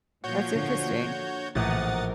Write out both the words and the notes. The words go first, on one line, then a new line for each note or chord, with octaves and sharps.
That's interesting.
A#2 F3 F#4 C#5 G6
D3
A#1 A2 E3 A#4 F#5 D#6 A6